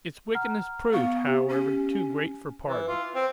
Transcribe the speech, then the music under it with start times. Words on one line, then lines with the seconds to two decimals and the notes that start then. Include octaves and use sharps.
Its wickedness proved, however, too great for pardon.
0.35 F#5 A#5 F6
0.93 B3 F5 C#6
1.27 G4
1.49 C#4
2.65 E3
2.88 F4
3.15 C4